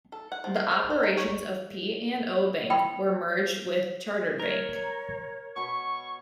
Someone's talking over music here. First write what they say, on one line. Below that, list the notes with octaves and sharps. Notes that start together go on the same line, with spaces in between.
The operations of P and O Bank were merged with Chartered Bank.
A4
F#5
F3
F5
C5
C5
D#4
C#5
G5 B5
A#4 C#5
B2 C#5 B5 C#6